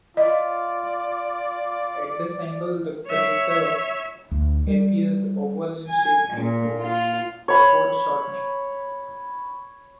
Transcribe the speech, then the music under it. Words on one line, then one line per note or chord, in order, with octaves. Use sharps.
At this angle the crater appears oval in shape due to foreshortening.
F4 D5 D#5
C#5 E5
D2
G3
G#5
A#2
F4
C#5 B5